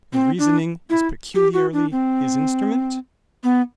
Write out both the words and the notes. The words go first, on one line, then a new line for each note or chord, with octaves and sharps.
And reasoning is peculiarly his instrument?
C4
D4
E4
G4
F#4
D4
C4
B3